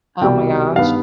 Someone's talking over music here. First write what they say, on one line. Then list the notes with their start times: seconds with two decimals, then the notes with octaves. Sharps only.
Oh my gosh.
0.21 C2 B2 G3 G5
0.76 G2 D#3 B3 F5